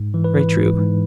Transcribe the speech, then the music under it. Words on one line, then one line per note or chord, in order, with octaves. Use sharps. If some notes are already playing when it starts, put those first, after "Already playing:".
Very true.
Already playing: G#2
E3
B4
E3
B4
G#2
G#2